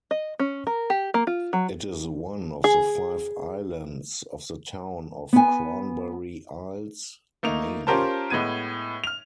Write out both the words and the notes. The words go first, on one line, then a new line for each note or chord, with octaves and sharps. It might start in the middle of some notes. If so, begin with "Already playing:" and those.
It is one of the five islands of the town of Cranberry Isles, Maine.
D#5
C#4
A#4
G4
A#3
F4
F#3
G#4
B3 G#5
A3 A#3 D#4 F7
C#4 F4 G4 A#4 C5 A5
A2 G#3 B3 G#6 D#7
F6 F7